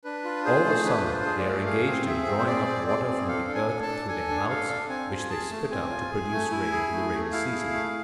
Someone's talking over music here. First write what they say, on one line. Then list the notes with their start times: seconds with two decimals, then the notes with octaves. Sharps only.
All the summer they are engaged in drawing up water from the earth through their mouths, which they spit out to produce rain in the rainy season.
0.04 D4 B4
0.24 F4
0.45 G#4 C5
0.65 A3
0.85 D4 B4
1.05 F4 B4
1.12 C5
1.25 G#4
1.39 D5
1.47 A3
1.66 G#4 F5
1.86 C4
2.07 G#4 E5
2.26 C4
2.38 C5
2.47 G#4 D5
2.67 C4
2.87 G#4 D5
3.07 C4
3.28 A4 F5
3.48 D4
3.55 G#5
3.68 A4
3.82 A5
3.88 D4
4.08 A4 G#5
4.29 D4
4.49 A4 F5
4.69 D4
4.89 C4 G#5
5.10 F4
5.30 G#4 A5
5.50 A3
5.70 C4 G#5
5.90 F4
6.11 G#4
6.31 A3
6.51 E4
6.71 G#4
6.91 A3
7.12 A3
7.32 E4 F5
7.52 G#4
7.72 A3